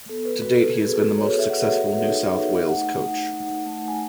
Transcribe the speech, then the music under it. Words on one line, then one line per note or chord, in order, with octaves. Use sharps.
To date, he has been the most successful New South Wales coach.
B3 A4
B4
F#4 B4
A4
F#4 G#4
A4
F#4
C#5
F#4 E5
F#5
E5
F#4
D#4
D#4
A3 F#5
D#4
D#4
A3
G#5